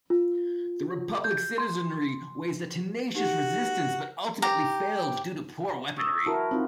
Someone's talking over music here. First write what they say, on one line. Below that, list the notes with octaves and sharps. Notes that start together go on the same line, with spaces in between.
The Republic's citizenry waged a tenacious resistance, but ultimately failed due to poor weaponry.
F4
G6
C6
D#4 F#4 G4
G4 A#5
C#6 D#6 E6
E4 F#4 A#4 A5
C4 D#4 F4